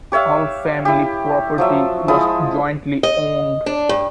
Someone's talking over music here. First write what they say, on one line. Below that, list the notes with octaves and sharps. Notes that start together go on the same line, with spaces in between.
All family property was jointly owned.
G4 C#5 E5 F5
E4 G4
F3 F#3 E5
F3 G#3 E4 D#6
D#5
D4
G2